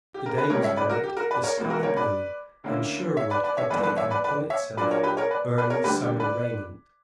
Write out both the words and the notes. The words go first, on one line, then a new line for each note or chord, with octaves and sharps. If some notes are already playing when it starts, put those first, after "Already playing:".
The day was bright, the sky blue, and Sherwood had taken upon itself early summer raiment.
G4
A#4
B4
C#2 C#3 G3 A#4 C#5
C#5 E5
B4 D5
F#4 A#4
G4
F#4 A#4
B4 D5
A#4 C#5
C#2 B2 A#3
F#4 A#4
A#4 C#5
B4 D5
D2 D3 A#3 C#4 E4
C#5 E5
B4 D5
B4 D5
C#5 E5
G1 G2 E3 A#3 B4 D5
B4 D5
C#5 E5
B4 D5
B4 D5
C#5 E5
A#2 F#3 A#3 D4 B4 D5
A#4 C#5
G4 B4
A#4 C#5
B4 D5
B4 D5
A#4 C#5
D2 D3 G3 G4 B4
G4
B4 D5